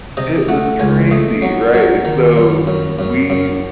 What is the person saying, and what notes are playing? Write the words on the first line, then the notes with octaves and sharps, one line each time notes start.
It was crazy, right? And so we
C3 D#5
A3 F#5
C#2 G#5
A3 D#5
F#3
F#3
D#3
F#2
F#2
F#2
F#2